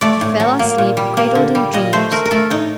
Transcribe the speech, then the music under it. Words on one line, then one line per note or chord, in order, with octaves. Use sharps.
She fell asleep cradled in dreams.
A3 D5
A2
F#3
A#3
A#2
G3
A#3
D3
G3
A#2 D#5
A3 C5
A3 A#4
A#4
A3 A4
A2 D#4